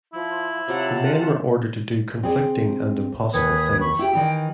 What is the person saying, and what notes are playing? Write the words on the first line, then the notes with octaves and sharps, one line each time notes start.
The men were ordered to do conflicting and impossible things.
F3 E4
C3 F#3 F4 G4 F5 F#5 A5
C4 G#4 D5
D#2 E3 B4 D#6 G#6
B5 C#6
E4 G4 G5
D#3 E3 G4